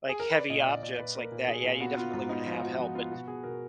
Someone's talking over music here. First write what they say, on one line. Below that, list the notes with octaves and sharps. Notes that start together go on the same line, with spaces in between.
like, heavy objects like that, yeah, you definitely wanna have help. But,
G#4
A#4
B4
D5
A#2 D#5
A#2 D5
A#2 D5
A#2 B4
A#3 A#4
A#2
A#2 G#4
A#2
B3 F#4
B3 F4
G#2 F4
B3 D#4
F3 F4
F3 F#4
F3 F#4
B3 F4
B2 F#4
B2 G#4
B2 A#4